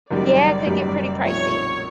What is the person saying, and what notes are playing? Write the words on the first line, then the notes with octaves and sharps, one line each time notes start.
Yeah, it could get pretty pricey.
F#1 F#2 D#3 G3 D5
F#1 F#2 D#3 G3
B1 A#2 F3 A3 C4 C#5